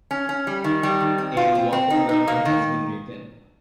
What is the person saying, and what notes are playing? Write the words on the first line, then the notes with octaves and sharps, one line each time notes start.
A Wappo grammar has been written.
C#4
C#4
G3
D#3
G3
D#3
C4
F4
C4
C4
D#4
D#4
A#3
D#3